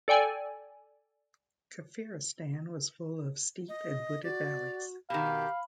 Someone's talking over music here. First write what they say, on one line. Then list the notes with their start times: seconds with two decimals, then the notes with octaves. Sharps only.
Kafiristan was full of steep and wooded valleys.
0.08 A4 D5 G5 G#5
3.69 D#5
4.24 F#4 D5
5.10 B2 D#3 G4 F5 B5